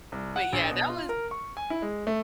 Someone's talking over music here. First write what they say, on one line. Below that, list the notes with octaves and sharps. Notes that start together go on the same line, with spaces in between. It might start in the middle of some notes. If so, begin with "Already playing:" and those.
but, yeah, that was
C2
F#5
A#1
B2
F4
A#4
C#6
G#5
E4
G#3
A3